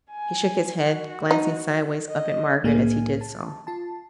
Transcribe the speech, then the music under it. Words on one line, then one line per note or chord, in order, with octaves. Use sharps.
He shook his head, glancing sideways up at Margaret as he did so.
G#5
F#4
D#4
D#5
C2 A2 A#3 D4 G#4 G#5
A5
F4 A5